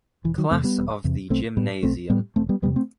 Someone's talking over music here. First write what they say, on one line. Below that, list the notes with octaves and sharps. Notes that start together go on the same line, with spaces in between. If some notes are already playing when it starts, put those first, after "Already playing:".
Class of the gymnasium.
E1 E3
D#3 F#3
E2 C3 A3 C4
G3 B3
E1
E2 C3
B1 A3 C4
A2 G3 B3
B1 A3 C4
A2 G3 B3
E1 A3 C4
G3 B3
E2 C3 G3 B3
A3 C4